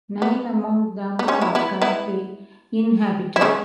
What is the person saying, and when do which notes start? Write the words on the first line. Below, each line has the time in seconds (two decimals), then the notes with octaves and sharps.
Nine among them are currently inhabited.
0.22 B3
1.19 B3
1.28 G#3 C#4
1.41 B3 E4
1.55 B3 E4
1.82 B3 E4
3.36 E4
3.41 G#3 C#4